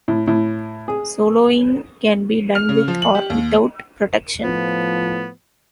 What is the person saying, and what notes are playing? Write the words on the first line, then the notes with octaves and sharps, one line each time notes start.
Soloing can be done with or without protection.
A2
A2
G#4
F6
C#3
F3
F#7
G4
D#2
A2 F3 B3